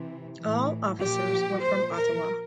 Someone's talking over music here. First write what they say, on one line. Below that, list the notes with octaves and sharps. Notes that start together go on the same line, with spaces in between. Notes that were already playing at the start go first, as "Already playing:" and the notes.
All officers were from Ottawa.
Already playing: C3 E3
A2 E3
A#2 F3 G4
A#2 F3 C5
A#4